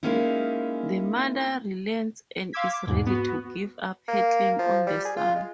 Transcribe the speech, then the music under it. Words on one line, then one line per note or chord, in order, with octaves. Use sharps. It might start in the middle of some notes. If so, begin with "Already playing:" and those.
The mother relents and is ready to give up her claim on the son.
G#3 A#3 C#4 D#4 E4
F5 C6 D6 E6 G#6 B6
D6
E2 G#2 B2
B3 F#4
A#3
F3
G3
G#4
F4
G#3